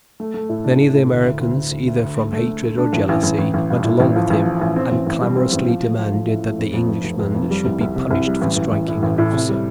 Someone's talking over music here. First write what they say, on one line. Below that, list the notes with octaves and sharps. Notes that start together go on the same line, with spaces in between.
Many of the Americans, either from hatred or jealousy, went along with him, and clamorously demanded that the Englishman should be punished for striking an officer.
A3
A3
A2
D4
A3
A2
D2
D2
D2
D2
D2
D2
D2
A3
A3
A3
A3
D4
A1
A1
A1
A1
A1
G2
A2
A1
F3
A1
F3
A1
C4
A1
A1
G3
C4
A1
F3
A3
F3
F3
A2
A3
F2
F2
F1
F1
F1
F2
G3
C2
C2
C3
C2
G3
A1
A1
A1
A2
A1
A2
C3
G3